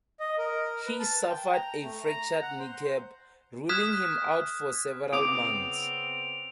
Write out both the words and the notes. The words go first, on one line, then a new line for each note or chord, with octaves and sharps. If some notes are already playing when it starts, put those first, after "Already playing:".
He suffered a fractured kneecap, ruling him out for several months.
D#5
A#4
B4
A5
G5
A#5
A3
A#5
F#5
C5
D#6 F6 F#6 G#6 B6 E7
C#3 B3 C4 D6 D#6 D7 F7